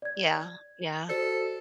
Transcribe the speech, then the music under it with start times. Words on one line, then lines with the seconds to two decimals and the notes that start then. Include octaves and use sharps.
Yeah, yeah.
0.02 D5 G#6
1.09 F#4 A4 C5 D5